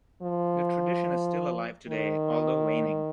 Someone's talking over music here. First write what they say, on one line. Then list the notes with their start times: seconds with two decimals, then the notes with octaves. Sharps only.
The tradition is still alive today, although waning.
0.22 F3
1.88 D#3